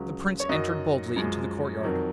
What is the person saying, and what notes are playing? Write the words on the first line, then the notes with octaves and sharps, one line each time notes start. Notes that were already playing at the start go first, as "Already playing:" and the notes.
The Prince entered boldly into the courtyard.
Already playing: C#2 C#3 F#3
C#5
F#2 D#3 F#3 D#5
F#2 F3 G#3
F2 D#3 F#3